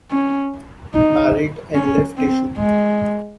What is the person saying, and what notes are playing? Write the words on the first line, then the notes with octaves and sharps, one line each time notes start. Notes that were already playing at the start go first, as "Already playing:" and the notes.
Married and left issue.
C#4
D#4
C#4
C4
G#3